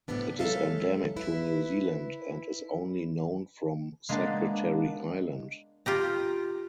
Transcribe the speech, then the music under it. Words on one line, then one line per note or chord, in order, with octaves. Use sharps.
It is endemic to New Zealand and is only known from Secretary Island.
A2 C3 G3 B3 D4
F#3 G#3 C#4 A4 E5 F5
E4 B4
G#3 A#3 B3 D4
F4 G4 A#5